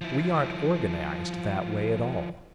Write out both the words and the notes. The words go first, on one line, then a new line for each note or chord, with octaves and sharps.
We aren't organized that way at all.
F3 E4